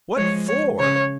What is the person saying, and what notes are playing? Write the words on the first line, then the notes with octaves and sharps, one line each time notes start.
"What FOR?"
F3 G#3 C#5
C#5
C#3 C#5